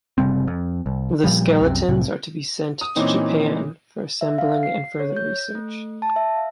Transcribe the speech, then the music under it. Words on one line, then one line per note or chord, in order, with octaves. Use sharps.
The skeletons are to be sent to Japan for assembling and further research.
F#1 C3 G3 C4
F2
C2
A#2 F3 G3
C2 F#2 C3
C2 A2 C3
D#6
A#2 E3 C4 C#4 D#4
E5
F5
C7
C#5
G6
A3
A5
E5
F5